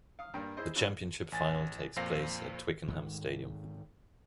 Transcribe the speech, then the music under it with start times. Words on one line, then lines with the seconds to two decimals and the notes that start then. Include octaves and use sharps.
The Championship final takes place at Twickenham Stadium.
0.19 F5 D#6
0.34 G2 A#3 D4 A#4 G5
0.57 E4 G#4 C5 D#5
0.75 F3 F#3 D4 E4 F#4
1.32 A1 G#5 A6
1.96 F2 A#2 C5 F5 A#6 C7
2.88 G#2 D#3 G#3 A3